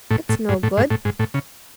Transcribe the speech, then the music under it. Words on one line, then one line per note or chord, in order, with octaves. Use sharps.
"It's no good."
A2
A2
G#2
A2
G#2
A2
G#2
A2
C#3